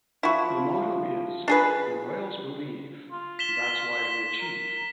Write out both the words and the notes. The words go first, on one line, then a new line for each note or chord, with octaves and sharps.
The motto is "The Royals Believe That's Why We Achieve".
F3 E4 F#4
D4 G#4 B4
F4
B6 E7 G7
B6
A#4